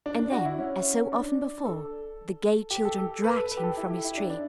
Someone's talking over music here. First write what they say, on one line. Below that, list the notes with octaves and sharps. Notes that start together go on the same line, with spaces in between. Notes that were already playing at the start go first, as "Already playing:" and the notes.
And then, as so often before, the gay children dragged him from his tree.
D4
D4
F#4
E4
C#4
D4
A4
G4
A4
A4
B4
A4
B4
G4
A4
E4
G4
E4
D4
D4